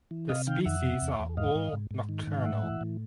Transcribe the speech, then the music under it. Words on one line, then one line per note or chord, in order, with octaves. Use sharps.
The species are all nocturnal.
E3
C3 D#5 F5
D#3 F5 G5
F2 E5 F#5
C3
E2
E2
G#2 D#5 F5
G#2
G#2
G#2
D#3
G#2
F5
A2 E5 F#5
E3
A2